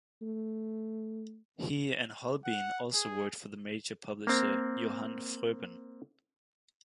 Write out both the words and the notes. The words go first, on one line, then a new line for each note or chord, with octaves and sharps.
He and Holbein also worked for the major publisher Johann Froben.
A3
F#5
G#4
A#3 C4